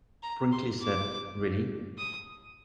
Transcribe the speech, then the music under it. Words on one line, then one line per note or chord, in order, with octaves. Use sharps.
Brinkley said, Really?
A#5
C6
D6
D#6